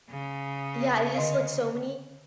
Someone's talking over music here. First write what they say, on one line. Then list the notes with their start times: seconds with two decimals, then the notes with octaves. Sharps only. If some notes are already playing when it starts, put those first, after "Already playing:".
Yeah, it has, like, so many
0.10 C#3
1.15 D3 D#5 F5